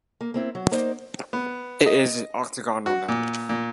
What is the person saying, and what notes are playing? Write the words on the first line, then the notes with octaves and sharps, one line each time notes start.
It is an octagonal number.
A#3
A#3 C4 E4
F#3
A#3 D#4 C5 D5
B3
D#5
F#4
A#2
A#2